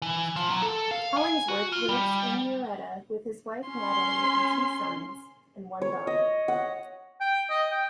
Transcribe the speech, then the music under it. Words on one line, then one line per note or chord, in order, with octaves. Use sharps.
Hollingsworth lives in Murrieta with his wife, Natalie, and two sons and one daughter.
E3
F3
F#3
A4
F5
G#5
F#4
F4
G3
C#4 C6
C#5
D#5
F#5
G5
D#5
G5